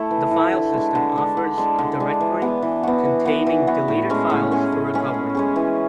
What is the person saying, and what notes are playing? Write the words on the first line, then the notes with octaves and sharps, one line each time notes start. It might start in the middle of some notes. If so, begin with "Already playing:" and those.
The filesystem offers a directory containing deleted files for recovery.
Already playing: A3 E4
E3
A3 E4
D3
G#3 D4
D3
G#3 D4
D3
G#3 D4
D3
G#3 D4
E3
B3 F#4
E3
B3 F#4
E3
B3 F#4
E3
B3 F#4
A2
G#3 C#4 G#4
A2
G#3 C#4 G#4
A2
G#3 C#4 G#4
A2
G#3 C#4 G#4
E3